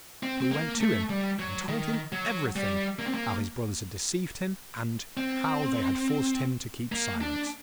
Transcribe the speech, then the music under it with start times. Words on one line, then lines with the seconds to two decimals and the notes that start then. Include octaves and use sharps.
So he went to him and told him everything; how his brothers had deceived him, and how they had forced him to keep silence.
0.23 C4
0.41 C4
0.51 A#3
0.81 A3
1.10 G3
1.39 F#3
1.68 D#3
2.12 F#3
2.56 G3
2.99 A#3
3.07 C4
3.14 A#3
5.17 C4
6.92 A#3
7.21 D4